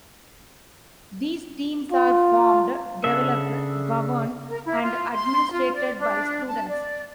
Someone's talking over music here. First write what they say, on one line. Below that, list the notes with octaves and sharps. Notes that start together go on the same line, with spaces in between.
These teams are formed, developed, governed, and administrated by students.
F4
C#3 D4 A4 E5
A#4
E4
F4
C6
F4
D5
D4
A5
D5